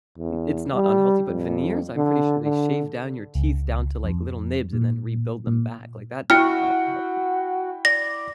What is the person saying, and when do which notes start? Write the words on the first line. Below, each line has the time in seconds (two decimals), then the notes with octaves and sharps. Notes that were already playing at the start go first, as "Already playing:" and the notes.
i it's not unhealthy, but veneers, I'm pretty sure they shave down your teeth down to, like, little nibs and then rebuild them back, like, that is not healthy,
0.18 E2
0.74 G3
1.29 F2
1.96 D3
2.43 D3
3.35 C#2
4.05 F2
4.73 A#2
5.47 A#2
6.30 E4 F#4 G5 F6 C#7
7.85 D5 A#6